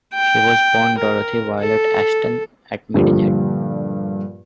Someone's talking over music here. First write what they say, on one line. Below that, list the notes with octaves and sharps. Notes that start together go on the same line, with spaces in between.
She was born Dorothy Violet Ashton at Maidenhead.
G5
A#4
A4
G2 A#2 D3 F3 G3